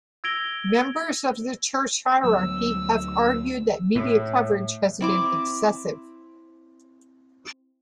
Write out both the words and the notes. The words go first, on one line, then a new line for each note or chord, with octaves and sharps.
Members of the church hierarchy have argued that media coverage has been excessive.
E6 G#6 A#6 D7 F7 G7
D2 F#3 B3 E6
A2
C4 E4 D6